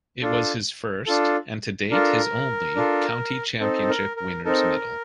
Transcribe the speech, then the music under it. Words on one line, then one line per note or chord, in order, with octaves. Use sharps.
It was his first, and to date his only, county championship winners' medal.
D4 F4 A4
D4 F4 A4
D4 F4 A4 A#4
D4 F4 A4
C4 D#4 A4
A#4
A#4
C4 D#4 A4 A#4